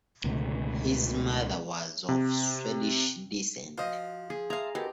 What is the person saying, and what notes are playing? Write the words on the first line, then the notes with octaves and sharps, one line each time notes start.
His mother was of Swedish descent.
C#2 B2 D3 A3
C3
F3 F4 F#4 C5 D#5
G#4
G#4 E5 F5 A5 A#5 C6
G#3 B3 C4 F#4 G4 A#4 A5